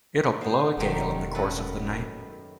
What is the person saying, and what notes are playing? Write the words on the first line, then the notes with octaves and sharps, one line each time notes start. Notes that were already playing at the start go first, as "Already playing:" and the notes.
It'll blow a gale in the course of the night!
B3 C5
E1 D#3 G3 A3
F#2 A4 B4